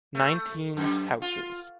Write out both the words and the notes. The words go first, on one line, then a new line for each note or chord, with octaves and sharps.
Nineteen houses.
A3
F#2
F4